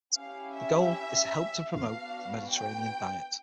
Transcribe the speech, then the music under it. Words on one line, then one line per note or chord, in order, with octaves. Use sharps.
The goal is to help to promote the Mediterranean diet.
C#4 E4 G4 F5
E5
B3 D4 F#4 F5
G5